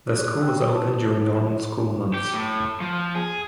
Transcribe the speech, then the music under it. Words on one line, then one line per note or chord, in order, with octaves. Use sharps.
The school is open during normal school months.
G4 G#4 C#5 D5 F#6
G5 E6 F#6
F#4 G5
E4 B4 C5 A5
G4
A2
F3
G#4